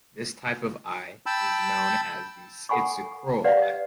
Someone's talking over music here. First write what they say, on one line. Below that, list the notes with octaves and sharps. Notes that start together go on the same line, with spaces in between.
This type of eye is known as the schizochroal eye.
G5 A5 B5 E6
A4 F#5 G#5 B5 C#6
G4 B4 C#5 D5 F5 F#5
D#5